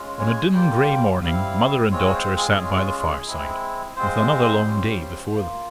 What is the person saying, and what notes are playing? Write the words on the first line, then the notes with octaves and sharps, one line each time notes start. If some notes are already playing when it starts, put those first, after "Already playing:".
On a dim gray morning, mother and daughter sat by the fireside, with another long day before them.
Already playing: G#3 C#4 F4
G#5
G3 A#3 F4 G5
G3 C4 E4 F5
G#3 C4 F4 C#5
C#5
C5
G#4
G#3 C#4 F4
G#3 C4 E4
G#3 C4 F4 C5
G3 C#4 F4
A#3 F4